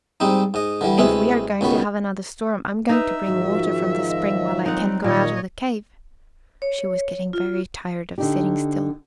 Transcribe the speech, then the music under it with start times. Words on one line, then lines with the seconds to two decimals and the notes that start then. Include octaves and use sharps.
"If we are going to have another storm I am going to bring water from the spring while I can go out of the cave." She was getting very tired of sitting still.
0.20 G#2 G3 C4 D#4
0.54 G#2 D#5
0.81 D3 E3 G3
0.98 D2 C3 G#3 E4 B4
1.61 C#2 B2 D#3 B5 C#6
2.89 D#4 B4 E5
3.25 G#2 D#3 F3 F#4
4.07 D#5
4.66 F#3 C4 D#4 F#5
5.04 A#2 D#3 C#5 D#5
6.62 C#5
7.33 F4
8.18 D3 D#4 G4